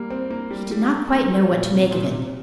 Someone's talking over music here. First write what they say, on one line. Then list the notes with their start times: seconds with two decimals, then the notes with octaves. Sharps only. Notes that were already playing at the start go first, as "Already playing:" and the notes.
He did not quite know what to make of it.
Already playing: G3 A#3
0.10 C4
0.30 A#3
0.51 G3
0.71 G3
0.90 A#3
1.11 A#3
1.32 G3
1.50 A#2
1.72 C3
1.91 A#2
2.11 C3